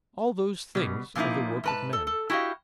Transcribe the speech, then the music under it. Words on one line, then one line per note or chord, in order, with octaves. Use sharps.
All those things are the work of men.
B2 G3
A#2 F3 A#3 D#4 E4
G#2 B4 A5
A4
A4
E4 F#4 G4 D#5 F5